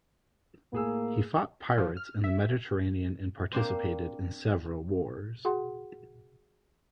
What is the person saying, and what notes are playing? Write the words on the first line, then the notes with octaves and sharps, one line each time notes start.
He fought pirates in the Mediterranean and participated in several wars.
A2 A#3 G#4 E6
F3
F6
E5
A#3 C4 D4 C5
F#4 G#4 F#5 C6